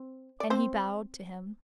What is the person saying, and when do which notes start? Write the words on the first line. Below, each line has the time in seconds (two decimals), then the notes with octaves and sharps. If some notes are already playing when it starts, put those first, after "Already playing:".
And he bowed to him.
Already playing: C4
0.40 D5
0.50 C4 C5